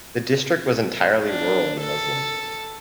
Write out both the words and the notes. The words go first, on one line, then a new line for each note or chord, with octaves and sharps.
The district was entirely rural and Muslim.
D4
A4